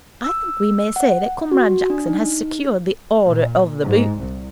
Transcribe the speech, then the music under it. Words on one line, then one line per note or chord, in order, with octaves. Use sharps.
I think we may say that Comrade Jackson has secured the Order of the Boot.'
E6
F#5
F#4
D4
D#4
A#2
G#2
C2